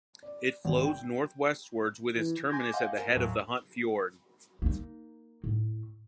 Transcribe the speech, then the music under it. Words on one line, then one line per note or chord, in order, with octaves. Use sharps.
It flows northwestwards with its terminus at the head of the Hunt Fjord.
D5
G#1
G5
E3
G#5 C6 D6 G6 G#6 A#6
D#5 F5 F#5 C6 G6
A#4 C5 G#5
D#2 A2 F3 F#3
A#3 D#4
A2